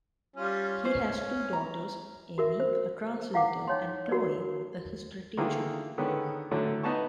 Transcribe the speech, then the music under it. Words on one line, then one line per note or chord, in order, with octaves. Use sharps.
He has two daughters, Amy a translator and Chloe a history teacher.
G3 C#4 F4
C#4 F4 B4 C5
A#5
F#4 A#4 E5
C5
E4 F5 F#5 D6
D#4 C#5 G5 C6
F#4 A#4 B4 D5
D3 D#3 A#3 E4 F4 G#4
D3 D#3 G#3 B3 C#4
D3 F#3 A3 C#4 E4
B3 D#4 A5 C#6